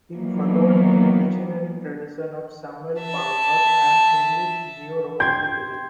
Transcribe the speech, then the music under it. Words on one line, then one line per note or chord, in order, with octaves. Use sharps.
He followed in the visionary tradition of Samuel Palmer and English neo-romanticism.
D#3 E3 F#3 A#3 B3
E5 A5
G5 C6 G6 G#6